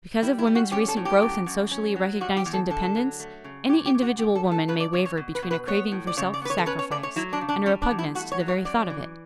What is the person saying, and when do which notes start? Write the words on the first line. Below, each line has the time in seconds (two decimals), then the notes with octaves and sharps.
Because of women's recent growth in socially recognized independence, any individual woman may waver between a craving for self-sacrifice and a repugnance to the very thought of it.
0.22 G3 E4
0.39 E4
0.47 G3
0.55 F#4
0.71 C#4 G4
0.88 A4
0.97 A2
1.05 G4
1.22 F#2
1.46 F#2
1.71 C#4
1.96 F#3
2.21 G3 F#4
2.37 G4
2.46 E2
2.53 A4
2.70 D3 A4
2.95 F#3
3.20 A3
3.44 C#3
3.69 C#3 G4
3.86 G4
3.94 C#3
4.02 F#4
4.18 G2 G4
4.35 A4
4.43 A3
4.51 A4
4.68 C#3 B4
4.80 D5
4.93 C#3 C#5
5.05 C#5
5.17 B2
5.35 B4
5.42 B2
5.51 B4
5.68 B3 C#5
5.92 A2
6.07 D5
6.17 C#3 C#5
6.34 D5
6.42 B3 B4
6.50 C#5
6.58 A4
6.66 C#4 B4
6.79 C#5
6.91 A3 D5
7.03 C#5
7.16 F#3 E4
7.33 D4
7.41 C#3
7.49 D4
7.66 G3 C#4
7.82 D4
7.91 E2
7.99 E4
8.15 A3 F#4
8.32 C#5
8.40 F#3
8.48 C#5
8.65 F#2 D5
8.90 E3